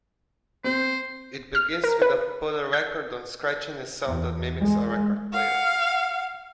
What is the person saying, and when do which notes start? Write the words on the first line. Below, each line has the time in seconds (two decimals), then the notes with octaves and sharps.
It begins with a "put-a-record-on scratchiness" sound that mimics a record player.
0.64 C4 C5
1.55 F6
1.84 A#4
2.02 B4
2.73 G6
4.09 E2
4.59 G#3
5.33 F5 F#5